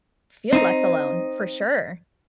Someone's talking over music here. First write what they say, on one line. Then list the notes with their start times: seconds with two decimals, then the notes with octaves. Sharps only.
feel less alone, for sure.
0.53 C4 D#4